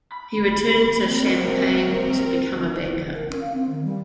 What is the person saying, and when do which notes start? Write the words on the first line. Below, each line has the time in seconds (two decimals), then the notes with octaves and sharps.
He returned to Champaign to become a banker.
0.12 B5
0.91 C4 A#4
1.26 G#3 A#3
3.15 A#4
3.29 C#4
3.41 F5
3.53 C4
3.69 D#3
3.84 G3